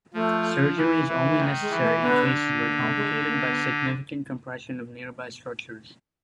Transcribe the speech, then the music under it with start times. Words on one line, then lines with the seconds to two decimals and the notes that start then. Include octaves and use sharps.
Surgery is only necessary in cases where complicated by significant compression of nearby structures.
0.13 F3 A3
0.77 E3
1.08 E3
1.39 D#3 A3
1.60 G#3
1.70 E3
1.81 A3
2.02 D3 B3
2.65 A#3
2.80 A3
2.96 G#3
3.11 A3
3.27 A#3
3.48 B3